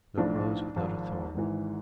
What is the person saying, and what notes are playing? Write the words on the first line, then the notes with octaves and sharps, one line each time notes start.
No rose without a thorn.
B1 A2 F3 D4
G#1 G#2 F3
G#1 G#2 E3